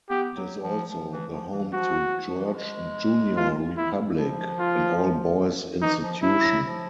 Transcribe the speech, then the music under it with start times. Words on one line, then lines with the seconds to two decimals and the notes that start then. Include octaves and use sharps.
It is also the home to George Junior Republic, an all-boys institution.
0.10 B3 G4
0.37 F#3
0.64 F3
0.92 F3
1.12 E3
1.33 F3
1.53 E3
1.73 F3 F#4
2.28 F3
2.37 E3
2.45 F3
2.54 G#3
3.37 F4
3.78 E4
4.18 F3
4.59 F4
5.81 E3 D#4
6.02 F3
6.22 F#3 E4
6.43 F#3
6.64 F3